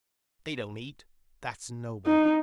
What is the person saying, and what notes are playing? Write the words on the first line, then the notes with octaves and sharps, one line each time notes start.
They don't eat; that's noble.
D#4